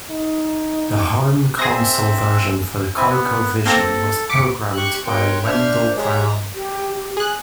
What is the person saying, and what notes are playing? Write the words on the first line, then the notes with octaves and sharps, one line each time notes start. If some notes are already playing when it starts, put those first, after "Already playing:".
The home console version for the ColecoVision was programmed by Wendell Brown.
D#4
C4 G#4 E5 A#6
C4 E4 G#5
B3
A#3 C4 A4 A#6
D6 B6 C#7
G4 C#6 F#6
B2 A#4 C#5 G5 C6 F#6
D4 C5 E5 F6 G6
G#3 G4 C#5 E5 A#5
G4
G#4 F#6